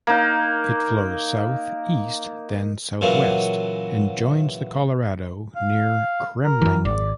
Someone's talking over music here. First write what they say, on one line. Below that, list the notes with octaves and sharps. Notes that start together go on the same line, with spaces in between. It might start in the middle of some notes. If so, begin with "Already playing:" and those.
It flows south, east, then southwest, and joins the Colorado near Kremmling.
A#3 D#4
A#2 C#3 E3 F#3 A#3
F5
A#4
F#2 E3
G#1 D5